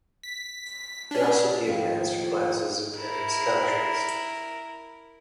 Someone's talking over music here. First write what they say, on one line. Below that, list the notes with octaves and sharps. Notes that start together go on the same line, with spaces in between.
He also gave master classes in various countries.
B6
C#4 D4
D#2 A2 F3
E4 A#4